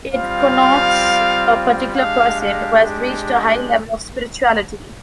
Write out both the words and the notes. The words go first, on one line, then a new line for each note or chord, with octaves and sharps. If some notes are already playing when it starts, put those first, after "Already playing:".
It connotes a particular person who has reached a high level of spirituality.
G3 C4 F4 F5
G#3 D4 G4 F5
F5